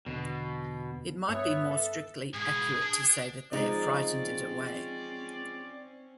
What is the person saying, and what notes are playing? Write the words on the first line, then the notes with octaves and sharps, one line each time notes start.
It might be more strictly accurate to say that they have frightened it away.
E2 B2 D3
G2 B3 C#5 E5
A4
G#2 B2 G#4
D4
F3 G#3 C4 C#4 D#4 D5